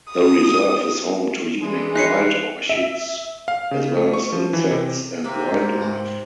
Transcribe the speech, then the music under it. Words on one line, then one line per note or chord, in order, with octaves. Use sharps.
The reserve is home to unique wild orchids, as well as insects and wildlife.
D#6
E3 G#3 D4 G#4
D#4 B4 C#5 F#6 C7 C#7
E5
F5
C#3
A3
C#6
F3
E3
C3
C3 A#3
G#2